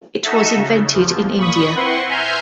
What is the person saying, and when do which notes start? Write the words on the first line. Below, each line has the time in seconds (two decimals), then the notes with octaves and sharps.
It was invented in India.
0.23 D#4 F#4 A4 E5
0.56 C#3
0.94 E2 F3
1.38 A#2 B5 C#6 D#6
1.75 C4 E4 B4 F#5 C6 C#6
2.09 E5 G#5 A#5 C6 F6 G6